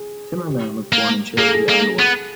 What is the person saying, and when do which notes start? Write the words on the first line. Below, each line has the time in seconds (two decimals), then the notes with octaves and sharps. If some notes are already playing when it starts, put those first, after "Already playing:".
Timmerman was born in Cherokee, Iowa.
Already playing: G#4
0.47 G4
0.93 A#3
1.38 A#3 G#4
1.47 A4
1.54 G#4
1.69 A#3
1.99 B3